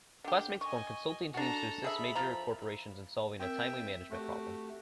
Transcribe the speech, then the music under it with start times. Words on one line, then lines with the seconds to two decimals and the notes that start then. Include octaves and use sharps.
Classmates form consulting teams to assist major corporations in solving a timely management problem.
0.24 D3 G4
0.61 D#5 G#5 C#6
1.34 D4 F#4 A4 A#5
1.84 G#4 E5 B5
2.15 F3 A#5
3.40 C4 A#4 E5 G5
4.10 A3 F#4 G4